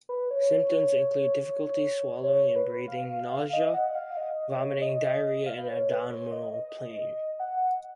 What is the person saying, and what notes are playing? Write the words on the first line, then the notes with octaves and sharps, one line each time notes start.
Symptoms include difficulty swallowing and breathing, nausea, vomiting, diarrhea, and abdominal pain.
B4
C#5
C#5
B4
F5
F5
D#5
F#5
F5
D#5
C#5
D#5
F5
B4
C#5
B4
C#5
D#5
D#5
F#5